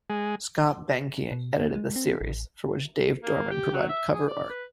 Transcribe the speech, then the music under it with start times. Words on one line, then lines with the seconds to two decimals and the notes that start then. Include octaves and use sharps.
Scott Behnke edited the series, for which Dave Dorman provided cover art.
0.10 G#3
1.32 B2
1.60 A#3
1.75 G#3
1.96 C4
2.21 A1
3.23 A#3
3.51 G4
3.73 F#3
3.89 E5
4.13 G#4
4.27 D5
4.49 B4